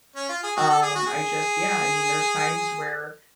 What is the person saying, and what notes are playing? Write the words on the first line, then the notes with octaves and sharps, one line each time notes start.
um, I just yeah, I mean, there's times where
C#4
F4
G#4
F#4
A4
G#4
F#4
G#4